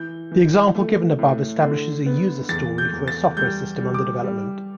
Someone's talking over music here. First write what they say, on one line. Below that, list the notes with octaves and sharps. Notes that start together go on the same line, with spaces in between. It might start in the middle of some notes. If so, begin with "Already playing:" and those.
The example given above establishes a user story for a software system under development.
Already playing: E3 G6
E3
A3
A2
D3
B3
E2 A6
G6
E2
A6
G3 G6
G3
D6
G3